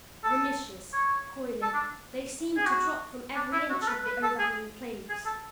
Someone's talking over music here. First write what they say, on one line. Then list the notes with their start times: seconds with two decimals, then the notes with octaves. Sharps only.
Vermiceous, coiling, they seemed to drop from every inch of the overhanging planes.
0.24 A4
0.93 C#5
1.62 A4
1.74 D4
2.56 G#4
2.66 F#4
3.36 D4
3.52 E4
3.70 F#4
3.82 A4
3.88 B4
4.04 B4
4.23 A4
4.39 G#4
5.09 G#4
5.26 A4